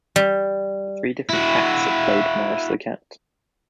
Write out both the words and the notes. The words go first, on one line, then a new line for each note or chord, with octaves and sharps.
Three different cats have played Morris the Cat.
G3
E4 F#4